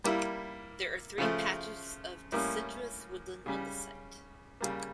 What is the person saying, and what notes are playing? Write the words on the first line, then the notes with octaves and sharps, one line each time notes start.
There are three patches of deciduous woodland on the site.
G3 A#3 E4
C#3 F3 A3
A2 G3 A#3 C#4
C#3 G3 C#4
C#3 G3 A#3